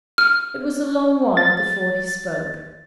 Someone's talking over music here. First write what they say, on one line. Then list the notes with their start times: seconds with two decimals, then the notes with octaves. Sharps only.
It was a long while before he spoke.
0.18 F6
1.37 A6